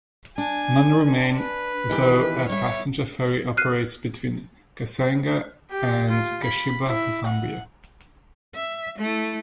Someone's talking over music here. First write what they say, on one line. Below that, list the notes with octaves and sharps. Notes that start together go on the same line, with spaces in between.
None remain, though a passenger ferry operates between Kasenga and Kashiba, Zambia.
D4 G#5
B4
D#3 E3 G4
G3 C#5 E5
F6 F#6 C7 D#7
G4
F4
B5
E4
F#5
E5
A3 E4